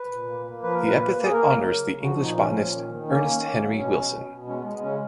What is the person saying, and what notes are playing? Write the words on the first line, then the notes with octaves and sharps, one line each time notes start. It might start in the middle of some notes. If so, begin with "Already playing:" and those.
The epithet honors the English botanist Ernest Henry Wilson.
Already playing: B4
A#2
A#3
A#3
F3 B4
A#4
A#2
B4
A#3
A#3
G#4
A#3 A#4
F#3
C#3
C#3
F3 F#4
A#2 D#4
F3 C#4
A#2
D#3
D#3
A#3 C#4
D#3
A#3
F#3
B2 C#4
B2
B2
B2
G#3 C#4
B3
G#3
B3
C#3 C#4